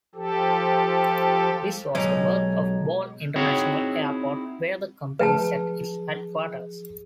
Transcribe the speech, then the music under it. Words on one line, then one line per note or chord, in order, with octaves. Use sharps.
This was the birth of Bole International Airport, where the company set its headquarters.
F3 G4 A4
B1 B2 G#3 G4 C#5 A#5
C4 D#4 E4 F#4 G#4 C#5
F3 G#4 B4 G5 A5